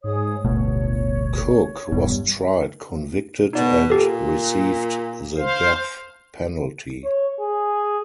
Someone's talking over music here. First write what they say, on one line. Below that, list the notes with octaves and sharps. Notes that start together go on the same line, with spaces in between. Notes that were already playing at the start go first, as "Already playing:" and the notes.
Cook was tried, convicted, and received the death penalty.
G#2 G#4 C#5 D#6
D1 G1 B2 A3 C#5
D#1 E2 G2 B2
B2 D#4 D5
A#2 G4 A4
C5 F5
C#5
G#4